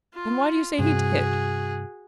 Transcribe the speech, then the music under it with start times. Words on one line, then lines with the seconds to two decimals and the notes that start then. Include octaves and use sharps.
"Then why do you say he did?"
0.14 F4
0.79 G2 C3 F#4 G#4